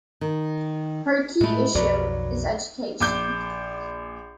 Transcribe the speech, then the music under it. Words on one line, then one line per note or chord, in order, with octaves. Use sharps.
Her key issue is education.
D#3
A2 G#3 A3 E4
B1 F2 F#3 B4 C#5 D5
A#1 D6 G6